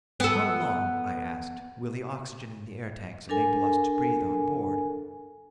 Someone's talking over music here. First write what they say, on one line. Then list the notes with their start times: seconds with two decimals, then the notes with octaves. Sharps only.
"How long," I asked, "will the oxygen in the air tanks enable us to breathe on board?"
0.20 B3 A4
3.29 D4 A4 A#4 G#5